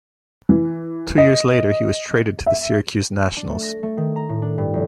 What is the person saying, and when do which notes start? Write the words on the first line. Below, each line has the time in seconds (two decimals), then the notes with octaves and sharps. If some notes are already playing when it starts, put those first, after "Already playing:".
Two years later he was traded to the Syracuse Nationals.
0.49 E3
1.18 D#5
2.46 E5
3.37 D4
3.50 A3
3.63 A#6
3.83 A3
3.97 D#3
4.16 A#5
4.29 A2
4.42 D4
4.58 G2
4.74 F1